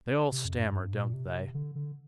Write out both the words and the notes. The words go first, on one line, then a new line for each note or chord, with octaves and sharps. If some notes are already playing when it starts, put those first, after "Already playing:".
"They all stammer, don't they?"
C3
F2
G2
G2
A#2
C3
D3
D3